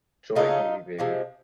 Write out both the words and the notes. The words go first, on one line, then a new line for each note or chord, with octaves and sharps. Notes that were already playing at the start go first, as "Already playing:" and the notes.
Joy, beauty baby.
C#3 F#3 A3 D#4 F4
C3 F3 G#3